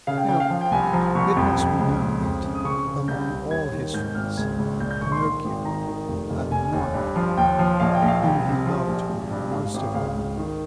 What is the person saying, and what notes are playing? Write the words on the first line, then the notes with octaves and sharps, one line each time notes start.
Now it must be known that, among all his friends, Pinocchio had one whom he loved most of all.
C#3 F5
G5
C#3 G5
F5
F3
G5
C2 G#5
G#5
F3 A#5
C2 C#6
F2
F2
C#2
C#2
F2
C#3
D#6
C#3 C#6
C#3
C2 G6
C2
D#2 G#6
D#3
G#2 G6
G#1 F6
C#2 G#6
C#2
A#2 G6
G6
A#1 C#6
C6
D#3
G#1
D#3 A#5
D#3
F1
F1
F1 G#5
D#2
G2
F3
D#2 G5
F3
A#1 F5
G5
A#1
F5
C2 G5
C3
F3
A#1
G#1
G2
G#2 F5
G#1
C#2 F5
C#2
D#3